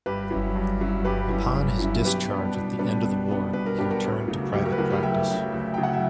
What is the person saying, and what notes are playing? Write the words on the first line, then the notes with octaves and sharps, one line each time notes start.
Upon his discharge at the end of the war, he returned to private practice.
G2 G4 B4
F#3 C#4 E4
G2
F#3 C#4 E4
G2 G4 B4
F#3 C#4 E4
G2
F#3 C#4 E4
B2 G4 B4
G3 B3 D4
B2
G3 B3 D4
B2
G3 B3 D4
B2 B4
A#4
G3 B3 D4 G4
F#4 A#4
D2
C#3 F#3
D2 G4
F#4 A#4
B4
C#3 F#3 F#4 A#4
G4 B4
D2 E5 G5
C#3 F#3
D2
C#3 F#3 G5
F#5
E5